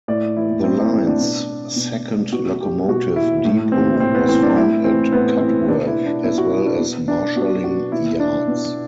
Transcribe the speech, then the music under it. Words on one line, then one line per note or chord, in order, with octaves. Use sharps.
The line's second locomotive depot was found at Cudworth, as well as marshalling yards.
A2 D5
E3 E4
A2 C4
E4
E3 C4
D4
B2
B2
B2 F#4
G4
B2 F#4
E4
A2
E3 C4
A2 C4
B3
E3 C4
D4
A2 E4
E3 C4
A2 B3
E3 C4
B2 D4
E4
D4
B2 E4
F#4
E4
D4
B2
D4
B2 F#4
F#4
B2 E4
D4
B2